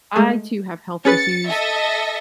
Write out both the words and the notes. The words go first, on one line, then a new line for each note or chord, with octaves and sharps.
I, too, have health issues,
G#3 A3 G#4
C#4 G#4 B4 A6 C#7
A4 D#5 E5